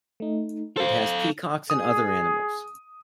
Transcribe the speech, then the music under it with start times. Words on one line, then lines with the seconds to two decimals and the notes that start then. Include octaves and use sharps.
It has peacocks and other animals.
0.20 A3 D#4
0.77 A4 C5 F5
1.70 G#4 D#6